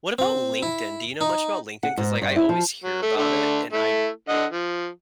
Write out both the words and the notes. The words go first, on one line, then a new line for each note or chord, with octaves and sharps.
what about LinkedIn? Do you know much about LinkedIn? 'Cause, like, I always hear about it, and I
C4
E4
D#4
F#5
G#2
G2
E4
F3
F#3
A3
D3 A3
A3 E4
D3 D#5 F#5
F3